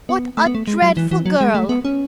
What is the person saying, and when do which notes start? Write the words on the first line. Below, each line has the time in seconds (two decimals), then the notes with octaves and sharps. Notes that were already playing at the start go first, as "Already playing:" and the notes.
"What a dreadful girl!"
0.09 B3
0.37 A3
0.46 B3
0.55 A3
0.67 G#3
0.82 F#3
0.97 E3
1.11 E3
1.26 F#3
1.41 G#3
1.55 A3
1.69 B3
1.85 C#4